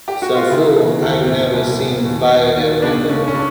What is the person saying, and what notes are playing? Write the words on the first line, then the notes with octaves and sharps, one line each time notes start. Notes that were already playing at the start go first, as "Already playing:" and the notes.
Some fool I'd never seen fired at random.
G4
F#4
F4
C#3 E4
E3
D#2
A#2
C2
A#2
D#2
D#2
D#3
C#3 D4
C#2 C#4
C#4
C#3 D4